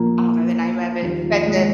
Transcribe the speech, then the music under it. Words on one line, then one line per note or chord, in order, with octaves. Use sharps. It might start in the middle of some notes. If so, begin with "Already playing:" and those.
I don't know the name of it, but the
Already playing: A#1 A#2 F3 A#3
D#2 D#3 F3
F3
G#3